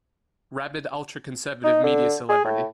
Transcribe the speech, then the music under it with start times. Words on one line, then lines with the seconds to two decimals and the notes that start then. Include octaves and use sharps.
Rabid- Ultra-conservative media celebrity.
1.64 D#4
1.83 D3
2.29 G#4
2.44 A2